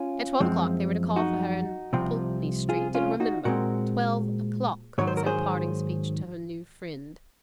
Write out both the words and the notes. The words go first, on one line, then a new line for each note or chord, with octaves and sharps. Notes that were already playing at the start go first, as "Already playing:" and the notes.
At twelve o'clock, they were to call for her in Pulteney Street; and "Remember--twelve o'clock," was her parting speech to her new friend.
Already playing: C#4 F4
F#2 F3 G#3 C4
D#4 F#4
C2 C3 F3 C4
F4 G#4
C#4 F4
D#4 F#4
A#2 G#3 C4 F#4 A#4
G#2 D#3 F#3 C#5
C5
A#4
G#4 C5